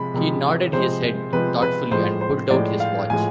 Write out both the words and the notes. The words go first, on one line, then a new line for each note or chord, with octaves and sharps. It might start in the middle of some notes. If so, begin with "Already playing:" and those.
He nodded his head thoughtfully, and pulled out his watch.
Already playing: C3 F3 G#3 B5
C3 F3 G#3
C3 F3 G#3 C5
C3 F3 G#3 B4
B4
A2 F3 G#3 C5
C5
A2 F3 G#3 D5
F5
A2 F3 G#3 G#5